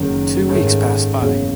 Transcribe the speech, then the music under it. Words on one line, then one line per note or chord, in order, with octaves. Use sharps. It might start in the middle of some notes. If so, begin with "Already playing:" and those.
Two weeks passed by.
Already playing: F#1 F#2 D#3
G#2 D#3 A3 C#4 G#4
F#1 E2 C#3 F#3